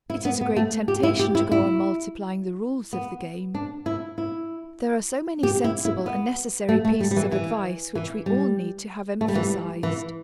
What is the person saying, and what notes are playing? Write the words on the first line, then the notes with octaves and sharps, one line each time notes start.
It is a great temptation to go on multiplying the rules of the game. There are so many sensible and necessary pieces of advice which we all need to have emphasized.
E4
B3
B3
A3
G4
E4
G4
E4
E4
B3
D4
E4
E4
G4
E4
E4
B3
A3
A3
G3
G3
E3
E3
E3
G3
A3
G3
E3
G3
E3